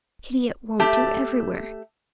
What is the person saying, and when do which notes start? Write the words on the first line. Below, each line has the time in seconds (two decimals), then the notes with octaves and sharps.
Pity it won't do everywhere!
0.80 A3 G4 A5